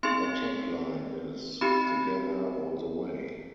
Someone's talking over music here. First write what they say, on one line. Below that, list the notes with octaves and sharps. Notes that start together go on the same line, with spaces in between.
Their tag line is 'Together, all the way.
C4 D#4 G#4 C6
C4 D#4 G4 B5